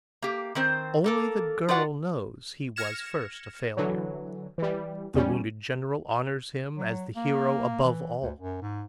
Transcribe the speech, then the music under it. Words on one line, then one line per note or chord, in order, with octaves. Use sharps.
Only the girl knows he was first a failure. The wounded general honors him as the hero above all.
A#3 G4
D#3 C4 C5
A#3 A4 A#4
F4 F#4 B4 D5 F#5
F6 G#6 A#6 C#7 E7
D3 E3 F#3
E3 G3
E2 G3 C#4
F#3
A#3
E3
D2
F#2
G#2